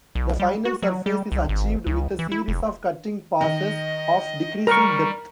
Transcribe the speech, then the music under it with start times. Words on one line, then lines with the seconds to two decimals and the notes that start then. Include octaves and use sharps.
The final surface is achieved with a series of cutting passes of decreasing depth.
0.15 B1
0.40 G3
0.65 F#4
0.82 F#3
1.06 G3
1.32 C2
1.49 G#1
1.87 C#2
2.19 E3
2.32 E4
2.48 F1
3.41 D#3 D#5
4.67 G3 A#4 A#5 C#6